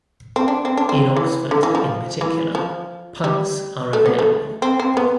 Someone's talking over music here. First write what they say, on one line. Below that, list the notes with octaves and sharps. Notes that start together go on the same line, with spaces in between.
In Oxford in particular, punts are available.
C4
D4
C4
D4
C4
E3
D3
E3
F3
E3
F3
G3
A3
B3
A3
C4
C4
B3